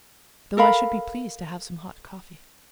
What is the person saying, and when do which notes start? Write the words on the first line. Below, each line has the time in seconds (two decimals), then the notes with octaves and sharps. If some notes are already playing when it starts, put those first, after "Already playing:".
"Though I should be pleased to have some hot coffee."
0.57 A4 A#4 F5 B5